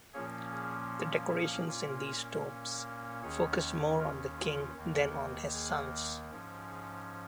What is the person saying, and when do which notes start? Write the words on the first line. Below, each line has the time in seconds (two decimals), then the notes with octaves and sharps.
The decorations in these tombs focus more on the King than on his sons.
0.14 A#2 F3 A#3 C#4 G#4 C#5
0.52 G#4
1.30 G#4
1.68 A#2 A#3 C#4 F4
3.23 D#2 D#3 C#4 G#4 C#5
3.99 F4 A#4
4.37 F4
4.76 D#2 D#3 A#3
5.53 G#4
6.31 G#2 F3 C#4
6.69 G#4